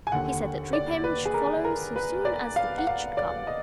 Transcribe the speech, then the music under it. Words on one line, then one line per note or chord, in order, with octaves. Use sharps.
He said that repayment should follow so soon as the fleet should come.
G#5
D#2 D3 F#5
D5
B4
G#4
A#4
A#4
B4
D5
F5
F#5
F5
D5
D#5